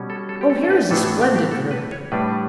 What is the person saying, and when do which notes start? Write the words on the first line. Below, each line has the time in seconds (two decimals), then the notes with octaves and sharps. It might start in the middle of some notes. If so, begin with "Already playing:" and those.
Oh, here is a splendid group!
Already playing: B2 G3 C#4
0.10 A4
0.29 A4
0.41 G4
0.50 A4
0.64 A4
0.70 B4
0.91 A2 E3 B3 D4 A4
1.05 A4
1.21 G4
1.36 G4
1.51 A4
1.71 B4
1.92 C#5
2.12 A2 G3 D4 B4